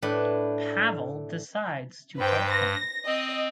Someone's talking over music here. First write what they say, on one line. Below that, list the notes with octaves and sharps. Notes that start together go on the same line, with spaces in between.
Pavel decides to help him.
A2 D4 B4
G2 B4 C5 G5
A#6
C4 D#5